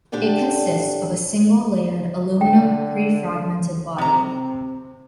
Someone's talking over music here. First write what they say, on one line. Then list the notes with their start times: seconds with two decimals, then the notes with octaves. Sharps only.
It consists of a single layered aluminium pre-fragmented body.
0.12 A#2 D3 D4 G4 A4
2.41 D3 G5
3.98 C3 C4 A#5